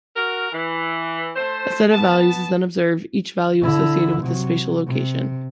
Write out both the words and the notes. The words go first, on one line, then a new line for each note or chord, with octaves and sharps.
A set of values is then observed, each value associated with a spatial location.
F#4 A#4
E3
A3 C5
B3 A5
D3 E4
C3 F#3
C3